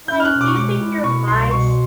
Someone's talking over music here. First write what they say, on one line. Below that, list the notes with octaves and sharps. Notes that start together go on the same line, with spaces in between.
Like, do you think your minds
C#4 G6
F6
F#6
B2
D6
C#6
G#3 D6
E4
B2 C#6
C2 C6
B2 C#6